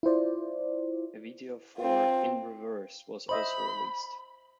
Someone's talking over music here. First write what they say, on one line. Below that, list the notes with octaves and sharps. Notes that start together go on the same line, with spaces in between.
A video for "In Reverse" was also released.
E4 F4 C5 D5
C4 F4
C5 D#5 E5 B5